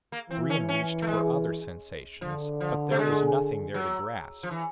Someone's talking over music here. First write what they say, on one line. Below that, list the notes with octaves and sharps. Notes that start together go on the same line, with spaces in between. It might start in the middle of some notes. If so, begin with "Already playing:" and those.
Brion reached for other sensations, but there was nothing there to grasp.
A#3
E3 C4
C#4
C#4
A3
G#3
D3 F3
F3
A3
G#3
F#3
F3
E3